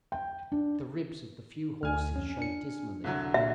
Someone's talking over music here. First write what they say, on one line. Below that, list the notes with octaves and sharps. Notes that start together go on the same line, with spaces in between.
The ribs of the few horses showed dismally.
G5
D4
D2 G#5 F6
F2 C#4
D4 C#7
C2 D3 F#3
A#2 F#4 E5